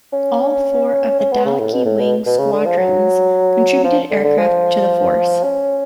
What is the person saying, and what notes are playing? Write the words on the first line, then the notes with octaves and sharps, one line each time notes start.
All four of the Dallachy Wing's squadrons contributed aircraft to the force.
C#4
C#4
B3
C#3
A2
B2
A2
B2
B2
C#3
D3
F3
F#3
F3
D3
D3
F3
C#4